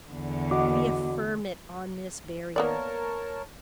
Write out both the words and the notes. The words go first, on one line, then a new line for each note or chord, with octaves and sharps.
We affirm it on this barrier.
E2 D3
F#4 D#5 F#5 D6
A#3 B3 A#4 C#5 D5 A5